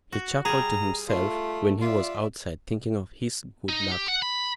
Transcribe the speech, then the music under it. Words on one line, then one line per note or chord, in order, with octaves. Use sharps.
He chuckled to himself when he was outside, thinking of his good luck.
F#4
G3 G#4 A#5
A3 F4
F4 D5 E5
D#4
G4
F#5
B5